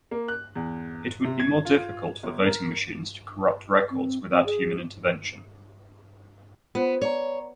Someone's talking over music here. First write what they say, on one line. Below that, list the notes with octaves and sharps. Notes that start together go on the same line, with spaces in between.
It would be more difficult for voting machines to corrupt records without human intervention.
A#3
F#6
E2
C3
G#6
F4
G1
A#4
C4
C4
G#4
B3 F4 C5 F#5
C#5 D5 A#5